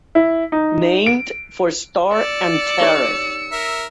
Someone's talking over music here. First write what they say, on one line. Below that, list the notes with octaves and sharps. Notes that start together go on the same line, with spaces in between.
Named for star Antares.
E4
D#4
D7
D5 E6 C#7
D#4 G4 C#5
A#4 E5